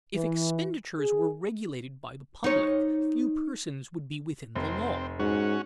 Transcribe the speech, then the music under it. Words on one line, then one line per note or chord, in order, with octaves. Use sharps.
If expenditures were regulated by the public, few persons would be within the law.
E3
G#4
D#4 C#5
F1 C4
G#2 C#4 F#4